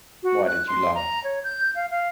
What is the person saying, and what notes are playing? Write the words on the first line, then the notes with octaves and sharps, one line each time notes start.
Why did you laugh?
F#4
F#6
C6
A#5
C#5
G6
F5
F5